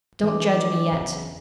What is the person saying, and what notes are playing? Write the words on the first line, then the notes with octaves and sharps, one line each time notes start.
Don't judge me yet!
E3 D4 D#5 D6
F#1 E2 C#3